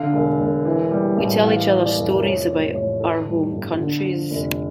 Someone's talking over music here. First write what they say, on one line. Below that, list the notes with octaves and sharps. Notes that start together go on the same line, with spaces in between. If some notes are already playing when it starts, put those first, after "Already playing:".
We tell each other stories about our home countries.
Already playing: D3 F5
E1
E1
E3
G3
A1
E3 F5
G3
D5
F1
A4
A#4
F3 C#5
A1
A1 C#5
E3 A4
G3
G1
D3
F3
F1